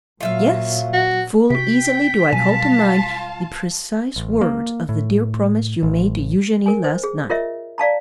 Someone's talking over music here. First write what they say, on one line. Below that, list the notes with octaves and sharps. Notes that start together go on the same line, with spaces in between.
Yes; full easily do I call to mind the precise words of the dear promise you made to Eugenie last night.
A#2 F#3 F4 E5 F5
F#4
C3 F#4 G5 B6
B2 F#3 G3 F4 F5 G#5 A5
A1
A#3
A2
A1
A#4 G#5
C5
G#4
F4 A#4 C#5 D#5 E5
D5 F5 A5 A#5